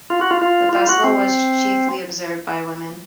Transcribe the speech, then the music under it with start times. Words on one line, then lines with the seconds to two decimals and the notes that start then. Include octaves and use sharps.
The festival was chiefly observed by women.
0.10 F4
0.21 F#4
0.31 F4
0.42 F4
0.73 F4
0.89 F#4
1.04 C4